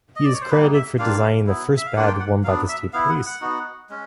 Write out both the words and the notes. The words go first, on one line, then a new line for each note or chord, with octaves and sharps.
He is credited for designing the first badge worn by the state police.
D#5
D5
C#5
C5
G3 A#3 D#4 B4
E5
G3 A#3 D4 F4 F5
F#3 B3 E4
E5
F5
A#3 D4 F4 F#5
G5
F#5
F#3 B3 D4 F5
E5
B3 E4 F5
F#5
F#5
B3 D#4 F#4
G#3 C#4